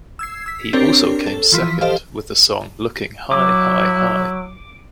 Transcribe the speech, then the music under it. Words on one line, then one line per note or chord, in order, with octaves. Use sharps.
He also came second, with the song "Looking High, High, High".
E6 G#6 C7
E6 B6
C4 D4 G4 A#4 C#5
A4
E3 F3 B6
G4 A4 C5 D#5 F5
F#3 E4 D6